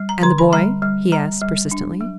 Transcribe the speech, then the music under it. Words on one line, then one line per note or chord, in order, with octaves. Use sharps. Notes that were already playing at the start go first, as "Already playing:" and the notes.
"And the boy?" he asked, persistently.
Already playing: G3
A#5
D3 C6
B5
G3 A#5
G3
G3 A#5
G3
D4
F#3